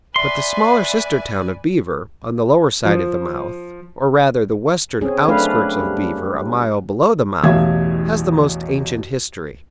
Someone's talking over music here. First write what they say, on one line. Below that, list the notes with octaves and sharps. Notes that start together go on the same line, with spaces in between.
But the smaller sister town of Beaver, on the lower side of the mouth,--or rather the western outskirts of Beaver a mile below the mouth,--has the most ancient history.
B4 D5 E5 G#5 C6
F3
C4 C#4 G#4
F#3 A3 D4 B4 F5
G3
A1 E2 B2 E5 F5 G#6